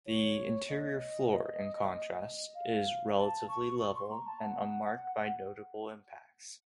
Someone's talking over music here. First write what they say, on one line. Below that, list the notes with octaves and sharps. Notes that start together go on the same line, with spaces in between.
The interior floor, in contrast, is relatively level and unmarked by notable impacts.
C#5
D#5
F5
A5
C#6
C#6
C6
A#5
A5
F#5